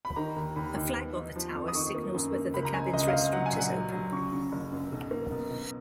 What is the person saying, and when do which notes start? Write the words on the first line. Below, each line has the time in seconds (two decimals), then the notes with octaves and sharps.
A flag on the tower signals whether the cabin's restaurant is open.
0.05 B5
0.16 D#3 A#5
0.36 D#2
0.56 D#2 B5
0.76 D#2
0.96 B3
1.16 D#4
1.36 F3
1.55 F2
1.68 D#6
1.75 D#3 C#6
1.95 A#3
2.15 F#2
2.34 A#3
2.54 C#2 B5
2.65 A#5
2.74 G#3 G#5
2.93 C#2 D#5
3.08 F5
3.13 C#2 D#5
3.33 F#3 F#5
3.46 G#5
3.53 A#1
3.59 F#5
3.72 F#3
3.92 F#3
4.12 C#3 C#6
4.32 C#3
4.52 F#1
4.72 F#2
4.92 B1
5.11 A#3
5.31 B2
5.50 B2